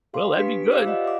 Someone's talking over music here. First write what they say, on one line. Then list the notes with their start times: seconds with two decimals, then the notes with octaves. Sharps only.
Well, that'd be good.
0.14 F5 C6
0.37 D4 G4 B4 B6
0.72 G4 C5 F5 D6 E6
0.86 F4 D5 D#5 F5 F#5
1.04 E5 D6